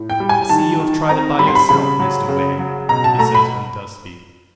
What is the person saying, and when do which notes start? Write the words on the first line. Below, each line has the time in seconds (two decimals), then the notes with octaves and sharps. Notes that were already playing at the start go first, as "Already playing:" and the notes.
'I see you have tried it by yourself, Mr Wegg,' he says when he does speak.
Already playing: A2
0.10 G5
0.20 G3
0.29 G#5
0.49 D#3 A5
0.80 D#3
1.09 C4 A#5
1.39 G3 B5
1.47 C6
1.55 B5
1.69 C#3 B5
2.00 F#3
2.29 C#3
2.59 F#3
2.89 B2 A#5
3.04 A5
3.19 A3 A#5
3.35 B5